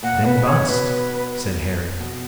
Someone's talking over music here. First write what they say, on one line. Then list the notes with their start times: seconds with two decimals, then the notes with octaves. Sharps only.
"Then bust," said Harry.
0.03 A#2 F#5
0.24 B4
0.35 C#3
0.47 C#5
0.69 B2 B4
2.00 B2